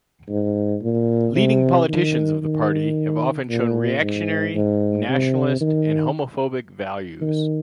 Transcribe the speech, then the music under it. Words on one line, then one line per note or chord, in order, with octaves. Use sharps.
Leading politicians of the party have often shown reactionary, nationalist, and homophobic values.
G#2
A#2
C3
D#3
D#3
A#2
G#2
G#2
C3
D#3
D#3